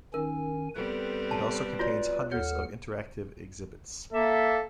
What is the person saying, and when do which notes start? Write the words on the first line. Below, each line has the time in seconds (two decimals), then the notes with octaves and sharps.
It also contains hundreds of interactive exhibits.
0.14 D#3 C#4 D#4 A#4 G#5
0.75 G3 B3 C4 A4 B4
1.31 A5
1.79 F4 F#4 C#5 D5
2.32 D#2 A4 C#5 F#5 F6
4.13 A#3 A4 E5